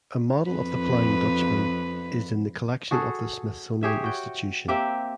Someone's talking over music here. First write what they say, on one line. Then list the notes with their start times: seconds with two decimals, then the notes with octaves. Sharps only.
A model of the "Flying Dutchman" is in the collection of the Smithsonian Institution.
0.48 F2 B4
2.91 F#4 G#4 A4
3.83 G4 G#4 C#5 E5
4.04 F#4 G5
4.68 A#3 C4 G4 E5